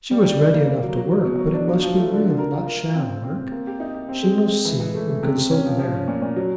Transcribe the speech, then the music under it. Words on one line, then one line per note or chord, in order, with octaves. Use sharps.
She was ready enough to work, but it must be real, not sham work. She must see and consult Mary!
G3
G3
G3
A#3
A#3
F#3
F#3
F#3
B2
F#3
D4
F#3
F3
A3
D3
D3
A#4
F4
A#4
F4
C4
C4
C4
C4
A#3
G4
D#4
G4
C4
G#3
G#3
G#3
E3
E3
A3
A3
C3
C3
C#4
F3
F3
C#4
A#2
A#2
F#3